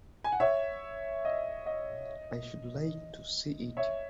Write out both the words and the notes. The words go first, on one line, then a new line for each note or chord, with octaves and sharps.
I should like to see it.
G#5
F#5
C#5 E5
D#5
D#5
C#5 E5